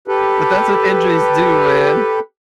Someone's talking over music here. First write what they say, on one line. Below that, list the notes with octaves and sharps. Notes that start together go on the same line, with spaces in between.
But that's what injuries do, man.
G4 A4 B4